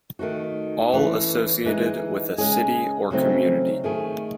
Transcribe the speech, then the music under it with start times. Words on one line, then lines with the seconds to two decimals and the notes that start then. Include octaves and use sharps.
All associated with a city or community.
0.19 D#3 A3 D#4 F#4
0.92 E3 A3 C#4
1.65 E3 G#3 D#4
2.38 C#3 G#3 C#4 G#4
3.11 C#3 F#3 A3 C4 D#4
3.84 D#3 A3 D#4 G#4